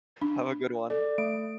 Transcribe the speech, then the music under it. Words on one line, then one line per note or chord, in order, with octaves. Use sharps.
Have a good one.
D4
A4 D5
A3 D7